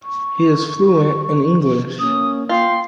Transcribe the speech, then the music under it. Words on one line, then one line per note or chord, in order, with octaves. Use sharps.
He is fluent in English.
C#6
A#3 C#4 D#6
F4 G5 C6